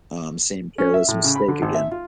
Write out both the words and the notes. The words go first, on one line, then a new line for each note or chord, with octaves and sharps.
um, same careless mistake again.
C#4
E5
A2
C#3
B5
D3
G#1
E5
F4